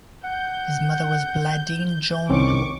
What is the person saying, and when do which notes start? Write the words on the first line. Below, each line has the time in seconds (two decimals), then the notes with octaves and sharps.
His mother was Bladine John.
0.24 F#5 G6
2.29 C2 D#3 C4 C#4 C#6 D6